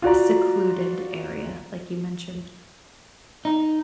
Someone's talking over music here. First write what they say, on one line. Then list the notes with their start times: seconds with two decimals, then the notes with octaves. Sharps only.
secluded area like you mentioned.
0.02 F4 F#4 D5 A#5
3.45 D#4